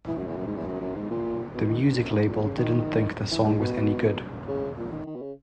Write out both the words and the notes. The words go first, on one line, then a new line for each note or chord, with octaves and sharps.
The music label didn't think the song was any good.
E3
F#2
E2
F#2
G#2
E2
F#2
F#2
G#2
A#2
B2
D#3
A#2
F#2
G#2
A#2
C#3
D#3
E3
G#2
B2
C#3
A#2
D#3
D#3
B2
C#3